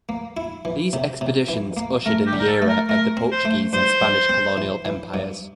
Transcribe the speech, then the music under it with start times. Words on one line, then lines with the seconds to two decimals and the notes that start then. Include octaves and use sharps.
These expeditions ushered in the era of the Portuguese and Spanish colonial empires.
0.09 A#3
0.37 E4
0.65 E3
0.93 C3
1.21 C3
1.49 E3
1.77 A#3
2.05 A3 A#4
2.27 G4
2.33 D3
2.39 A#4
2.47 A4
2.62 A3
2.69 A#4
2.89 A3 A#4
3.17 C4
3.31 C5
3.45 A3
3.73 G2 C5
4.02 G2
4.29 C4
4.57 E3
4.85 E3
5.14 G2